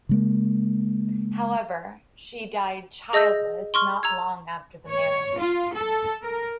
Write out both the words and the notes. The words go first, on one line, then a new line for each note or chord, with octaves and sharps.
However, she died childless not long after the marriage.
C#3 G#3 A#3
G#4 D#5 E6 G6 A#6
C6 C#6 F6
A#5 E6 G#6
C#5
F4
A4
A#4